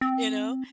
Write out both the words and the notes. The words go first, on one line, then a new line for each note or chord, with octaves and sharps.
you know,
C4